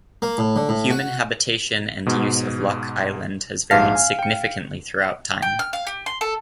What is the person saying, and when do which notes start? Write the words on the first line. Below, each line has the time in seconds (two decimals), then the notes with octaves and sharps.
Human habitation and use of Locke Island has varied significantly throughout time.
0.22 A#3
0.38 A2
0.56 D3
0.69 A2
0.90 F#4
2.06 G#2 B2
3.71 A#1 G#2 F5 A5
3.95 G#5
4.19 G5 C#7
5.42 G5
5.59 F6
5.73 F5
5.87 G4
6.06 C6
6.21 A4